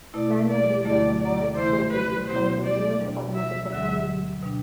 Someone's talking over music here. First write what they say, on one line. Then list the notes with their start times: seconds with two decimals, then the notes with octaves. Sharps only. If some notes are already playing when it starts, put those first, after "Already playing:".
Many of these are the marque's showcases for the newest automotive technology.
0.14 B2 A3 E4 D5
0.49 D5
0.85 D2 D3 A3 E4 D5
1.21 D5
1.57 C3 E3 A3 E4 C5
1.92 B4
2.28 B2 F#3 B3 E4 C5
2.64 D5
3.00 B2 G3 D4
3.35 E5
3.71 D2 D3 F#3 E5
4.42 B2 G3 D4